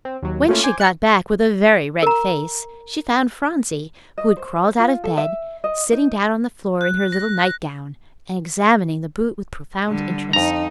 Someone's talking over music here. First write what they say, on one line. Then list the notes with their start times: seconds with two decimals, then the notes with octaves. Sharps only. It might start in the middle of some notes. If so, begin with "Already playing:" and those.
When she got back with a very red face, she found Phronsie, who had crawled out of bed, sitting down on the floor in her little nightgown and examining the boot with profound interest.
0.05 C4
0.22 D#2 F#3
0.49 A3 A#3 C#4 E4 F4
0.63 C5 G#5 D6
0.80 F#6 C#7
2.03 A#4 A#5
4.18 D#5
4.37 C5
4.79 F4
5.04 A4
5.18 E5
5.64 D#5
5.92 D#4
6.81 F#6
7.12 A#6
9.87 D3 G3
10.33 F2 D#4 A#5